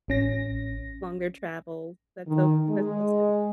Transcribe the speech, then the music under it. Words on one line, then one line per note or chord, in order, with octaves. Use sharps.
along their travel. That's so that's so sweet.
A1 C#4 A#6
D#3
G#3